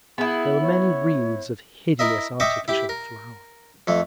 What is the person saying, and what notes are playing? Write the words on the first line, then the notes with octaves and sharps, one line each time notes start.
There were many wreaths of hideous artificial flowers....
B3 E4 G#4
C#5
E4 A#4 D#5 E5
D#5 E5 G5 C#6 D6
E4 G4
A#4
F2 A3